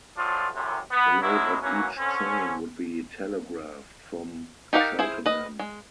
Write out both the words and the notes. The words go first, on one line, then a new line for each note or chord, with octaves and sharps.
The load of each train would be telegraphed from Cheltenham.
A2 F3 F#3 D4 F4
C2 F#2 A2 C3
B3
B2 F#3 G#3 E4
E3 F#3 A#3 C#4 F#4
D3 C4 C#4
D#4 G4 A#4 F5 F#5
E4 G#4 C5
B4 D#5
G#3